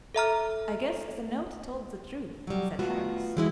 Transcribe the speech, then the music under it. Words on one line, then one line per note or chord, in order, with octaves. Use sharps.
"I guess the note told the truth," said Harris.
A4 E5 A#5 F6
F#3 G3
A3 B3 F4 F#4
E3 G#3 E4